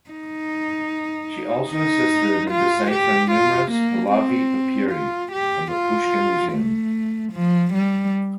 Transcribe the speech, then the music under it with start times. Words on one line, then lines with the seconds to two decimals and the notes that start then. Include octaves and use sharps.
She also assisted in deciphering numerous Pahlavi papyri from the Pushkin Museum.
0.10 D#4
1.70 D#4
2.51 F4
2.91 G4
3.32 F4
3.72 A#3
4.12 C4
4.92 F4
5.32 G4
5.72 F4
6.53 A3
7.33 F3
7.74 G3